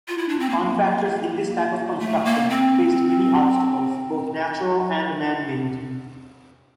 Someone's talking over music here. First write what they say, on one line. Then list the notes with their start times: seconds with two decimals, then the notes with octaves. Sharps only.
Contractors in this type of construction faced many obstacles, both natural and man-made.
0.08 F4
0.18 E4
0.29 D4
0.40 C4
0.50 A#3
2.00 A3
2.25 A#3
2.50 C4